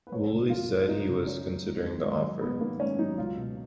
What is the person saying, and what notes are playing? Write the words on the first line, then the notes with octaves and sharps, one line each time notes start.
Woolley said he was considering the offer.
B4
F#2 C#5
C#3
F#2 F4
F#3
F4
F#2 D#4
C#3
F#2 C#4
F#3
G#2
D#3
G#2
F#3
G#2 B3
D#3 A#3
G#2 C#4
F#3 D#4
C#2 F4
B2